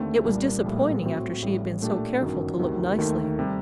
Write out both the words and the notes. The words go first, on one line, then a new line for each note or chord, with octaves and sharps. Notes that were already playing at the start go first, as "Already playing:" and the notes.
It was disappointing after she had been so careful to look nicely.
Already playing: D#2 D3 A3 C4
C2 A#2 G3 D4
A#1 A2 G3 A#3
A2 F#3 C4 F#4
A1 A2 G3
A#2 A3 D4 G4
G1 F#2 D#3 F#3
D2 C3 D#3 F#3
D#2 D#3 A3
C3 G3